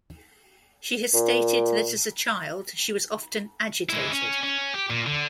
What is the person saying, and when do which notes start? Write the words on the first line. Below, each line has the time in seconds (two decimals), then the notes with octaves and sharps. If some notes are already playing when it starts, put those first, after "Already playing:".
She has stated that, as a child, she was often "agitated".
1.14 A#2
3.89 G#3 E4
4.12 C#4
4.43 C#4
4.74 G4
4.90 A#2
5.07 D3